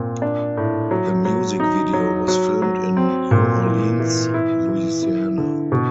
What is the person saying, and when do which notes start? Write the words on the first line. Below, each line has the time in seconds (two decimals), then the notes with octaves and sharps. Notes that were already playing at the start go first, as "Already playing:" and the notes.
The music video was filmed in New Orleans, Louisiana.
Already playing: A#2 C4
0.22 D4
0.57 A2
0.91 F#3
1.25 F#3
1.60 D#4
1.93 F#3
2.28 F#3
2.62 F#3
2.97 C4
3.31 A#2
3.66 E3
4.00 E3
4.34 E4
4.69 E3
5.02 E4
5.37 D3
5.72 B2